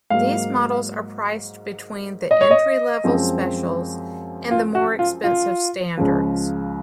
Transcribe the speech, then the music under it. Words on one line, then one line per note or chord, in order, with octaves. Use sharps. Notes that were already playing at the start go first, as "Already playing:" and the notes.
These models are priced between the entry-level Specials and the more expensive Standards.
G#2 F#3 A#3 F5
D#5
C#5
D#5
F#2 F3 G#3 C4
F4
F#4
F4
F4
C#2 C#3 F3